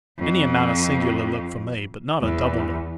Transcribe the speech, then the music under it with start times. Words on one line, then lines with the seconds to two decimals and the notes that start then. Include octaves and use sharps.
Any amount of singular look for me, but not a double look!
0.19 F2 F3
2.21 E2